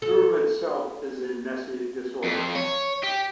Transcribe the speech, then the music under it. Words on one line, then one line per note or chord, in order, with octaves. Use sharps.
The room itself is in messy disorder.
A4
F2
C#5
G4